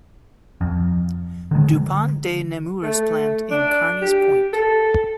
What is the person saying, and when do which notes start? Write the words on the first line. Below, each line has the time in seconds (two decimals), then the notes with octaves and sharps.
DuPont de Nemours plant in Carneys Point.
0.61 F2
1.51 D3 D#3 G#3
2.82 A3
3.51 D4
4.02 G4
4.53 A4